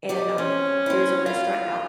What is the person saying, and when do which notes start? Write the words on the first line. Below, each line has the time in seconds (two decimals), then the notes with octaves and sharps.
and, um, there's a restaurant out
0.09 G4 D5 D#5
0.38 C4 C#4
0.86 C4 E4
1.26 F4 F#4